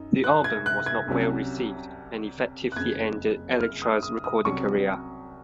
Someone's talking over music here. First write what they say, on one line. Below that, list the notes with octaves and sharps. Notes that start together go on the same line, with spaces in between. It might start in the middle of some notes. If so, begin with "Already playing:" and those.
The album was not well received and effectively ended Electra's recording career.
Already playing: F#2 D#4
F#6
G#6
F#6
G#6
C2 C3 F#3 C#4
F#6
F#1 F2 C#3 G#6
F6
D#6
D#6
D#6
C2 C3 F#3 C#4 C#6